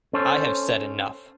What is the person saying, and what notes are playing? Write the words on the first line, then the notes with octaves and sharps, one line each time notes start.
I have said enough.
C#4 A4 C5